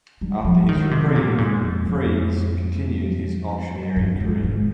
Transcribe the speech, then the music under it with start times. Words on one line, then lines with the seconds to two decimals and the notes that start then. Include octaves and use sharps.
After his reprieve, Fries continued his auctioneering career.
0.21 G3
0.45 F3
0.69 D#3
0.91 C3
1.16 A#2
1.38 G#2
1.62 F2
1.85 F2
3.96 G2
4.20 G#2
4.44 G#2